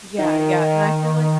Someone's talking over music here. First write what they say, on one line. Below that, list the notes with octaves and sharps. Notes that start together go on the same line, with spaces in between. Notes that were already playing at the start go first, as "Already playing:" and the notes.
Yeah, yeah, and I feel like
D#3
D#3